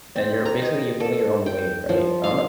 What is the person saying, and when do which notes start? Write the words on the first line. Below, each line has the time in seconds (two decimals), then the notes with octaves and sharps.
and you're basically holding your own weight, right? I'm not
0.16 C4
0.45 A#5
0.62 D#5
1.00 A4
1.46 G5
1.89 F3
2.24 F5